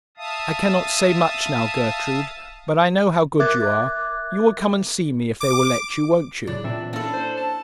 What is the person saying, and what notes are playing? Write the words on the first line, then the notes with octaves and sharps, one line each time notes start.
'I cannot say much now, Gertrude, but I know how good you are; you will come and see me, if they will let you, won't you?'
E5 F5 A5 D#6
A#4 E5 D6 F#6 G#6 A6
D6
A2 C#3 F#3 D4 D5
A#2 E3 C4 E5
A#3 C#4 D4 E4 A4
C5
A5